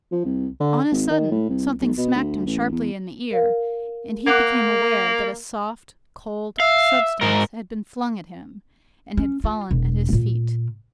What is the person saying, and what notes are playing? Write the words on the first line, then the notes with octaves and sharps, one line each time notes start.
On a sudden something smacked him sharply in the ear, and he became aware that a soft cold substance had been flung at him, and had fallen at his feet.
F3
C2
D3
G#1
D#3
A2
C2
B1
B2
D2
A1
E2
A#4 F5
A#3 A#4 F#5 D6 F#6
E5 F5
G#2 A#4
C#4
F4
E1
A#2